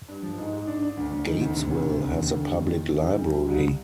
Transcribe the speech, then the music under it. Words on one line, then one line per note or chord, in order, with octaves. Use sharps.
Gatesville has a Public Library.
G2
F3
G#2
G#2
D4
D4
D2
D2
D#3
D2
C3
D2
C3
D2
D#2
D3
G3
D#2
D#2
D3
G3
G3
G3
C2